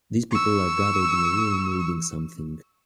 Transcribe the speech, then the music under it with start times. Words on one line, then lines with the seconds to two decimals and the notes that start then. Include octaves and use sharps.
These people are gathered in a room reading something.
0.31 C#6 E6